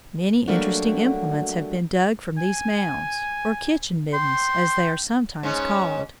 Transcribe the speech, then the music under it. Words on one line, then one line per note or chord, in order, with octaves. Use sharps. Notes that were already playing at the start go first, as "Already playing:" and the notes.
Many interesting implements have been dug from these mounds, or kitchen middens as they are sometimes called.
F#3 G3 A3 A#3 D4 F#4
G#5
G5 C6
G#2 C#4